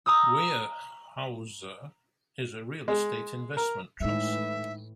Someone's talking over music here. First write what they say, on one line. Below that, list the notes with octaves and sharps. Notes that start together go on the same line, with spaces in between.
Weyerhaeuser is a real estate investment trust.
A#5 D#6 E6
G#3
A#4
A2 E3 G#3 D#4 E5